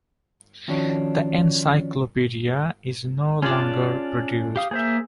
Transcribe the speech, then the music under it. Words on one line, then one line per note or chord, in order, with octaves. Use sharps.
The encyclopaedia is no longer produced.
D#3 F3 C#4 D4 F#4
C#4 D4 F4 G#4 D5
G4 F5 D#6
A#3 G#4 C5 E5